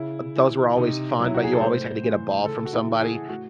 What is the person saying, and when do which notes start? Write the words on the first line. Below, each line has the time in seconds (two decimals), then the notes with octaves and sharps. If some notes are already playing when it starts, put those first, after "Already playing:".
Those were always fun, but you always had to get a ball from somebody,
Already playing: C#3 E4
0.36 E3
0.77 C3 D#4
1.20 F#3
1.26 E4
1.35 F#4
1.44 G#4
1.52 A4
1.61 A2 C5
2.03 E3
2.45 C#3 A4
2.65 F#4
2.73 E4
2.87 E3
3.02 G#4
3.29 A2 F#4